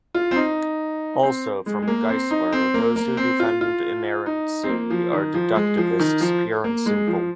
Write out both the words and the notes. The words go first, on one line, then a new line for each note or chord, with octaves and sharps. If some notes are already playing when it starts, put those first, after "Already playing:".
Also, from Geisler:Those who defend inerrancy are deductivists pure and simple.
F4
C4
D#4
C4
G#3
G#3
A#3
C4
D#4
C4
A#3
A#3
C4
F4
F4
D#4
C4
A#3
F3
D#3
F3
G#3
F3
D#3
F3
A#3
G#3
F3